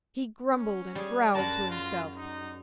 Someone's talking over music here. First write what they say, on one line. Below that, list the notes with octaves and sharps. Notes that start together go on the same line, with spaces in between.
He grumbled and growled to himself.
C#4
G3 G#4
F#2 F#4 A#4 A5
F4
D#4